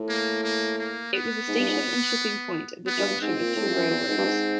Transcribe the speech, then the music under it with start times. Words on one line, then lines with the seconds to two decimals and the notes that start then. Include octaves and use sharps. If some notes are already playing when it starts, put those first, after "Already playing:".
It was a station and shipping point at the junction of two railroads.
Already playing: A2
0.09 A#3
0.43 A#3
0.78 A#3
1.13 B3
1.48 G#2
1.58 G2
1.69 G#2
2.87 B3
2.97 F#2
3.03 G2
3.21 G#2 C4
3.39 A#2
3.56 A2
3.67 F2
3.73 F#2
3.90 E2
4.08 G#2
4.18 G2
4.25 G#2